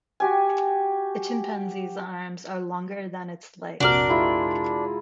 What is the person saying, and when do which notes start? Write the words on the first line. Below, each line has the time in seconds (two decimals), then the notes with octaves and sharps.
A chimpanzee's arms are longer than its legs.
0.20 F#4 G4 G#5
3.80 A#1 F2 C3 D4 F#4 A#4 D5 F6
4.09 G#3 E4 F4